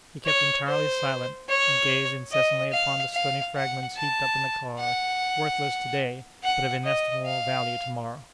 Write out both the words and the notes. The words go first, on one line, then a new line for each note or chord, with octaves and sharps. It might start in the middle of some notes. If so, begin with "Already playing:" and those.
He kept entirely silent, and gazed incessantly upon the stony fragments heaped up in the car--worthless to-day, but of inestimable value to-morrow.
C#5
C5
C#5
D#5
F5
F5
F#5
A5
F#5
F#5
D#5
F5